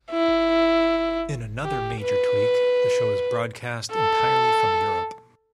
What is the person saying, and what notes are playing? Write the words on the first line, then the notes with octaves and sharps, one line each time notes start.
In another major tweak, the show is broadcast entirely from Europe.
E4
G4
B4
A4